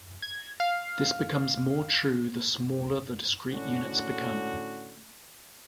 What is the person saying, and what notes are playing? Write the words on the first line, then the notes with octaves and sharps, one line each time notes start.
This becomes more true the smaller the discrete units become.
G#6
F5
A2 D3 C#4 F#4